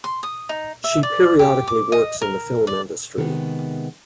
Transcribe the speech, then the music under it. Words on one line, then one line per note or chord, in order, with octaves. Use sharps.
She periodically works in the film industry.
C6
D#6
D#4
E5
D5
G4
D6
D#5
A#4
D5
C3 D#3 G#3 B3